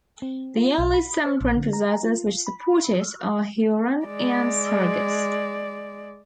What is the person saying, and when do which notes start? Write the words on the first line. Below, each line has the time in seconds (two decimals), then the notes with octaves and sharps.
The only Sempron processors which support it are Huron and Sargas.
0.22 C4
0.57 F4
0.78 B1
0.94 B5
1.26 C5
1.41 A#1
1.56 D3
1.73 A#5
2.03 F4
2.47 B5
4.06 G#3 D5